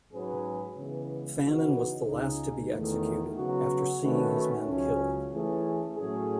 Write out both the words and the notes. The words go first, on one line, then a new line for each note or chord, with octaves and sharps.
Fannin was the last to be executed, after seeing his men killed.
G#2 F#3 C#4 G#4 B4
C#3 E3 G#3 B3
C#3 E3 B3 D#4 F#4
C#2 C#3 G#3 D#4 G#4
E2 D#3 A3
C#3 F#3 B3 F#4
D#3 A3 C#4 F#4 B4
C#2 C#3 F#3 C#4
E3 A3 C#4 G#4
A2 F#3 A3 C#4 G#4